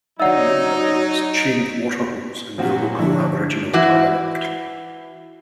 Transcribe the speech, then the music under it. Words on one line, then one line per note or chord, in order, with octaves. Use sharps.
The name "Nundah" means "chain of water holes" in the local Aboriginal dialect.
F#3 D#4 C#5 D5 E5 F#5 E6
A#2 F3 F#3 C4 F#4
D3 F3 D4 E4
E3 E4 F#4